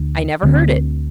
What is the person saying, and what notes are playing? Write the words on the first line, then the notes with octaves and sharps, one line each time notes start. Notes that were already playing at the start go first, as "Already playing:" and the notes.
"I never heard it."
Already playing: D2 D3
D2 D3 A3 C4